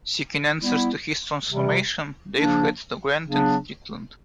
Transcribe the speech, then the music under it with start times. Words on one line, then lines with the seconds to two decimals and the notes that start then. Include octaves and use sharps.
Seeking answers to his transformation, Dave heads to Grant and Strictland.
0.60 G3 B3 E4
1.48 C3 E3 G3
2.37 C#3 F3 A#3 D4
3.26 C#3 F#3 B3 D4